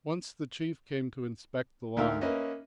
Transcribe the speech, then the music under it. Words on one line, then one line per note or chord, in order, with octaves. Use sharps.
Once the Chief came to inspect the line.
D2 D#4 A#4 E5 F5 E6
A#3 C#4 A#4 B4 D#5 E5